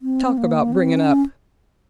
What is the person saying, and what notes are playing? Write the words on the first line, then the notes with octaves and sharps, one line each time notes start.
Talk about bringin' up.
C4
A#3
C4
C#4